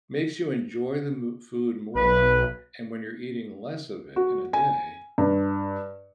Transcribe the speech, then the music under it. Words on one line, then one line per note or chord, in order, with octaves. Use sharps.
makes you enjoy the m food more. And when you're eating less of it in a day,
B1 B4
F#4
G#5
G2